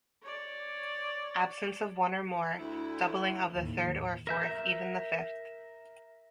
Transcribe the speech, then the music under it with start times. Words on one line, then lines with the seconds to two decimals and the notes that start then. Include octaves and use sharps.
Absence of one or more; doubling of the third or fourth even the fifth.
0.23 C#5 D5
2.59 D2 E4
3.53 D#2 A2
4.27 A#4 E5 G6